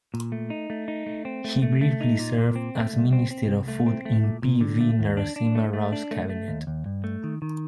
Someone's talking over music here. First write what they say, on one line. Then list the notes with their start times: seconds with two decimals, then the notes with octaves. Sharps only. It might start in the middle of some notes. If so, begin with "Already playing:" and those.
He briefly served as Minister of Food in P. V. Narasimha Rao's cabinet.
0.14 A#2
0.32 A3
0.50 D#4
0.70 A3
0.88 D#4
1.06 A3
1.25 C4
1.45 A3
1.62 A3
1.81 A3
2.01 D#4
2.19 A#2
2.38 A#2
2.56 C4
2.75 A3
2.94 C2
3.13 C4
3.31 C4
3.49 C2
3.68 A3
3.86 C4
4.05 A3
4.24 A#2
4.42 A#2
4.61 D3
4.81 A3
4.99 D#2
5.17 D4
5.36 D4
5.55 A3
5.73 A3
5.92 D4
6.11 A3
6.29 A3
6.48 D#2
6.67 D#2
6.86 G2
7.04 A3
7.24 D#3
7.42 D#3